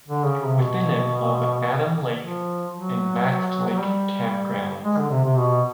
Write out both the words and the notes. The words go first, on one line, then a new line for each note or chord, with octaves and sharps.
Within it are the Adam Lake and Max Lake campgrounds.
D3
C#3
C3
B2
F3
F#3
F#3
G3
G#3
D3
C3
C3
B2